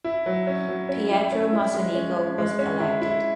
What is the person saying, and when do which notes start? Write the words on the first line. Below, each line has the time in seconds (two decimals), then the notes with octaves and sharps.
Pietro Mocenigo was elected.
0.04 E4
0.26 F#3
0.47 C#4
0.68 F#3
0.89 C#4
1.11 E4
1.32 C#4
1.53 E4
1.74 G#3
1.95 C#4
2.17 C#4
2.38 G#3
2.59 C#4
2.80 E4
3.01 E4